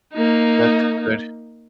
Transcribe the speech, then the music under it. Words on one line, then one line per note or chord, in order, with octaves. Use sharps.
That's good.
A#3 D#4